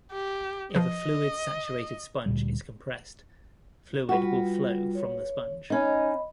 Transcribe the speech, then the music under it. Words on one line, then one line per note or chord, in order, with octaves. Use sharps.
If a fluid- saturated sponge is compressed, fluid will flow from the sponge.
G4
F3 B4 D#5
D2 A#2 G3
G3 F4 F#4 B4
C#5
C#4 D#4 D#5 B5